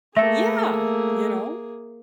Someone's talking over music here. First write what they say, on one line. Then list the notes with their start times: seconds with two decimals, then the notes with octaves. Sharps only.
Yeah, you know?
0.17 A3 A#3 G#4 A4 E5 A#6